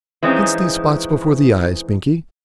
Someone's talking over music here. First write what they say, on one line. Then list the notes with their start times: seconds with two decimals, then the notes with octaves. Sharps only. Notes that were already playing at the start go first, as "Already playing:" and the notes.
Hence these spots before the eyes, Binkie.
0.23 E3 F3 G#3 C4 C#4 D#4